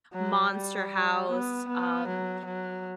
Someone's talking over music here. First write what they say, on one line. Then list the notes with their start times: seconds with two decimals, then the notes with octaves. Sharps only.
Monster House, um,
0.14 F#3
0.53 G3
1.30 B3
1.68 B3
2.08 F#3
2.46 F#3